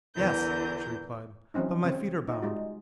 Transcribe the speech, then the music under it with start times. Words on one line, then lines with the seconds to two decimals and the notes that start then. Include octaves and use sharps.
"Yes," she replied, "but my feet are bound."
0.16 E2 D3 E3 A#4 G6
1.54 E3 F#3 C4 C#4 D#4
1.84 C#3 G3 C4 C#5
2.28 D#4 F4
2.42 G3 G#3 D#4 F4 F#4